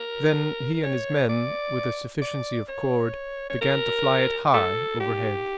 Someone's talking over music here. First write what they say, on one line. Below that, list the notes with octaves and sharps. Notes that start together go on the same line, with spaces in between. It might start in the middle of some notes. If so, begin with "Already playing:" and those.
Then he and his men, with a sufficiency of cord, began to fly it high overhead.
Already playing: A#4
A#4
C#5
D5
D5
C#5
C#5
A#4
A4
G4